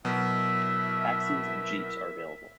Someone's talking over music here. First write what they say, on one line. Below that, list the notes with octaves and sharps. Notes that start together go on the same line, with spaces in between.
Taxis and jeeps are available.
B2 F#3 E4 A#4 E5